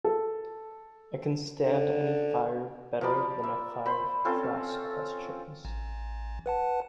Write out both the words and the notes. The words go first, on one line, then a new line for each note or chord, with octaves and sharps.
I can stand any fire better than a fire of cross questions.
A4
D3
F3 A#4 D5 B5
E5
C5 B5
C4 C#4 F4 A4
A1
B4 F#5 A5